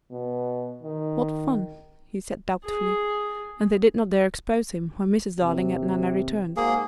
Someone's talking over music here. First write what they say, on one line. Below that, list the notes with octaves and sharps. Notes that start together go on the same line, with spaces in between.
"What fun!" he said doubtfully, and they did not dare expose him when Mrs. Darling and Nana returned.
B2
D#3
G#4
D#2 C3
G#2 A#3 F#4 G#4 C5